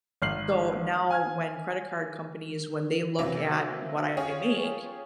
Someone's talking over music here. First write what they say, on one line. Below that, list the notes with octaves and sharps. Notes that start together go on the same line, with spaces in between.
so now when credit card companies, when they look at what I make,
G#1 F6 C7 F#7
G#5 F6 G#6
C3 E3 F#3 A#3 C4 C#4
C#4 F4 G4 G#4 C#5